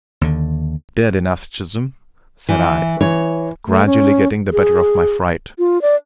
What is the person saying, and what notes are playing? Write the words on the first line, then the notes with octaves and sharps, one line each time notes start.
"Dead enough, Chisholm!" said I, gradually getting the better of my fright.
D#2 D3
E3
E3 C#5
A3
C#4
G#4
F4
D5